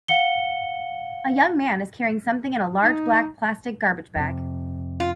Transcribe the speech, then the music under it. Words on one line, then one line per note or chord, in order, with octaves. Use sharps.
A young man is carrying something in a large black plastic garbage bag.
F5 F#5 C#7 G7
D#4
F2 C3
F4